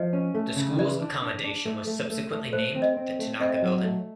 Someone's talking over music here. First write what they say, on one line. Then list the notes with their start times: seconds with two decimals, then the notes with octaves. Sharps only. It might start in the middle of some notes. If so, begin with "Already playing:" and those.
The school's accommodation was subsequently named "the Tanaka Building".
Already playing: F3 D#5
0.13 C#4
0.35 A3
0.57 C#3
0.78 E3 D5
1.01 D4
1.22 D4
1.44 D4
1.66 A3
1.87 A3
2.10 A3
2.32 A3
2.53 A3 C5
2.75 C4
2.82 D#5
2.97 C4
3.19 A3
3.40 C4 D#5
3.49 E5
3.57 D#5
3.62 F#3
3.84 A3